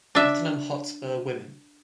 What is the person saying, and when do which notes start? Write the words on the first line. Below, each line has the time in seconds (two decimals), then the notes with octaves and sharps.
Tottenham Hotspur Women.
0.15 D4 E5